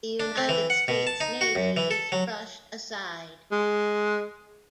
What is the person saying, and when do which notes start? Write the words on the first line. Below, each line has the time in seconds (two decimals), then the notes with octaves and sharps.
The United States Navy is brushed aside.
0.20 D4
0.37 C4
0.49 E3
0.70 F#5
0.88 B2
1.07 A5
1.21 D#4
1.41 F#4
1.55 F#2
1.77 E3
1.91 A4
2.12 F#3
3.52 G#3